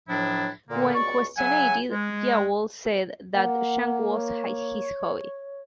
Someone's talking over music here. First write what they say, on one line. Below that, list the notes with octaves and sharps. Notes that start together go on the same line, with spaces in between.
When questioned, Diawol said that junk was his hobby.
C#2 A2 F3 F#3 D4 E4
A#2 D3 A#3
C#2 F#4 D5 C#6
C#3 F#3 E5 F#5 G#5
G#3
A#3 F#5
C#5